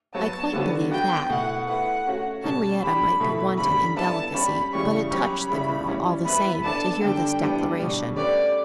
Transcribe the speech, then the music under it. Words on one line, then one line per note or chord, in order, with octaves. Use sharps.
"I quite believe that." Henrietta might be wanting in delicacy, but it touched the girl, all the same, to hear this declaration.
F#3 B3 F#4 C#5 A5
D3 G3 B3 F#4 C#5
B3 F#4 B4 G5
B2 A3 E4 F#5
A3 E4 B4 F#5
A3 C#4 F#4 C#5
B2 G3 C#4 A5
G3 D4 G4 B5
B2 F#3 A3 E4 A4
D3 G3 C#4 B5
B3 E4 A4 D5 A5
G3 C#4 G4 D5 B5
C#3 E3 G3 C#4 G4 C#6
F#3 C#4 G4 C#5 B5
C#3 G3 C#4 E4
E3 G3 C#4
B3 E4 B4 B5
B3 D4 A4 D5 A5
D3 G3 D4 G5
E3 G3 B3 D4
B2 G3 D4 G4
A3 C#4 G4 B4 D5